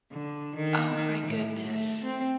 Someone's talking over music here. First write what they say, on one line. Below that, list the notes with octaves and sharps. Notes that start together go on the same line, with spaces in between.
Oh my goodness.
D3
D#3
D#3
A2
A3
C4